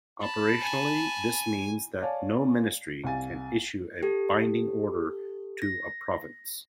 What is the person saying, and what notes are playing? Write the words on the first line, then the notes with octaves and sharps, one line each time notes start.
Operationally, this means that no ministry can issue a binding order to a province.
A5 B5
G#5
C#5 D5 F5 G#5 A5
C2 F5 G#5 A6
G4 A4
A#6